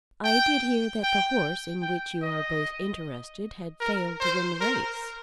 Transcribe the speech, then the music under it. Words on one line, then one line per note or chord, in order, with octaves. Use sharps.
"I did hear that the horse in which you are both interested had failed to win the race."
G5
G5
G5
D#5
A#4
C5
A#4